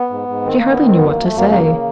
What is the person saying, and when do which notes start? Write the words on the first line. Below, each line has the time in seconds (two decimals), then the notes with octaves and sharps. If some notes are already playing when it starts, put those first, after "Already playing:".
She hardly knew what to say.
Already playing: B3
0.10 G#2
0.28 G#2
0.45 D#3 C4
0.58 D#3 A#3
0.72 B3
0.80 D#3 C4
0.97 F#2 B3
1.11 F#2 A#3
1.24 A3
1.32 F#2 A#3
1.49 C#3 A#3
1.67 C#3